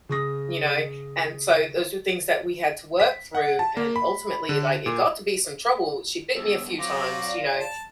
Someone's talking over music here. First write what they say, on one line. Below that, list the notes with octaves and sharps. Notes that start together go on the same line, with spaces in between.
you know? And so those are things that we had to work through, and, ultimately, like, it got to be some trouble, she bit me a few times, you know,
C#3 D#6 A#6
B6
F#5
A5
A#3
B5
D3
A#2
E2 G2 E6
F#3 C4 F4 D6 A#6
D5
A5 E7